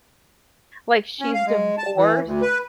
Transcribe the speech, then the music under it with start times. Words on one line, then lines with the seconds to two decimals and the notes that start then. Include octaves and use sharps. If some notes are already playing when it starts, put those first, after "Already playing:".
like, she's divorced
1.20 C#4
1.34 F5
1.47 G#3
1.78 A5
1.97 E3
2.26 D2
2.42 B4